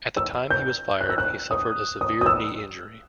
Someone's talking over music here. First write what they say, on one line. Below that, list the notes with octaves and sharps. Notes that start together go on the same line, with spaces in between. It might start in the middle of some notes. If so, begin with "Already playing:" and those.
At the time he was fired, he suffered a severe knee injury.
E6
G6
F#6
E6
F#6
D#6
D#6
D#6
E6